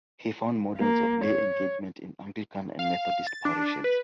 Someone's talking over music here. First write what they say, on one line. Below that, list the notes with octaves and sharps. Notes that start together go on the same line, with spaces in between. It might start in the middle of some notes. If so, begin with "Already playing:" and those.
He found models of lay engagement in Anglican and Methodist parishes.
A#3
C#5
F5
A6
D4
B4